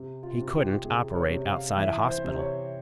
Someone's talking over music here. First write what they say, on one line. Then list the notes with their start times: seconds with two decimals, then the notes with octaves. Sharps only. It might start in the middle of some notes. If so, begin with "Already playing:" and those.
He couldn't operate outside a hospital.
Already playing: C3
0.23 F4
0.38 C3
0.47 F4
0.54 G4
0.85 C3 G#4
1.16 C#5
1.30 C3
1.46 F5
1.78 E3 E5
2.08 C5
2.24 C3
2.39 C#5